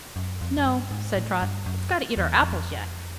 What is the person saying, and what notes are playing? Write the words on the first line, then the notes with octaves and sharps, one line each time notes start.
"No," said Trot; "we've got to eat our apples yet."
F#2
F2
F#2
G2
G#2
A2
G2
F#2
E2
F2